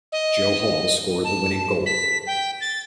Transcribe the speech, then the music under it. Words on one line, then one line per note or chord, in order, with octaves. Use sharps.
Joe Hall scored the winning goal.
D#5
A5
B6
G5
A6